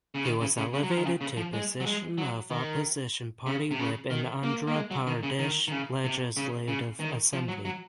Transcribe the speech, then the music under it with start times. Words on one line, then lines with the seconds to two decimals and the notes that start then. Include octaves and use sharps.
He was elevated to position of opposition party Whip in Andhra Pradesh Legislative Assembly.
0.15 C#3
0.24 D#3
0.41 C#3
0.58 C#3
0.73 C#3
0.83 F#3
0.91 F3
0.97 D#3
1.06 C#3
1.21 C#3
1.37 F3
1.53 G#3
1.80 F#3
1.86 G#3
2.18 F#3
2.50 D#3
3.46 C#3
3.71 C3
3.79 C#3
4.10 D#3
4.43 A#3
4.68 A#3
4.75 G#3
4.91 F#3
5.07 D#3
5.23 C#3
5.39 D#3
5.68 D#3
5.72 C#3
6.05 C3
6.37 C#3
6.68 C#3
7.00 D#3
7.33 F3
7.48 F#3
7.65 F#3